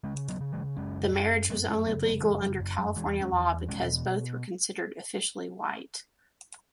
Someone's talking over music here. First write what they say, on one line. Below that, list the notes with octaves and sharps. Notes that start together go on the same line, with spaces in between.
The marriage was only legal under California law because both were considered officially white.
C#3 G#3 C#4
F#3 B3
C#3
E3 G#3
F#2 G#3 C#4
F#2
F#2 F#3 B3
G#3 C#4
C#3 F#3 B3
F#3 B3
F#2 E3 G#3
F#3
F#2
F#3
E2 E3 G#3
G#3 C#4
E2
B2 G#3 C#4